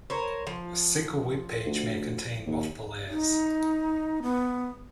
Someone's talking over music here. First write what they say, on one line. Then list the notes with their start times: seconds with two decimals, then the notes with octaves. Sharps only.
A single web page may contain multiple ads.
0.10 A#4 C5 C#5
0.47 F3
1.66 D2
2.46 D#2
3.09 D#4
4.23 B3